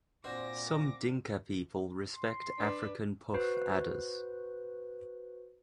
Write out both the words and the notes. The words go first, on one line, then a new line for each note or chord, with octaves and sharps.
Some Dinka people respect African puff adders.
A#2 C4 D4 F#4 C5 D6 A#6
C6
D4 B4
F#4 B4 C5